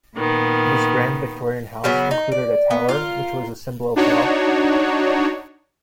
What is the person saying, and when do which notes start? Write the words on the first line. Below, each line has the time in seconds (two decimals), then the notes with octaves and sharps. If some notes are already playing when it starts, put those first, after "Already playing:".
This grand Victorian house included a tower, which was a symbol of wealth.
0.16 A#2 D#3 B3
1.84 C#3 F#3 B3
2.11 D#4
2.32 D5
2.71 B3
2.89 F4 A#4
3.96 D4 D#4 F#4 C#5